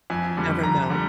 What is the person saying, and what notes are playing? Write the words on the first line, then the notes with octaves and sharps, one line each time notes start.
You never know.
F2 G#5
D3 G3
F2 A#5
D3 G3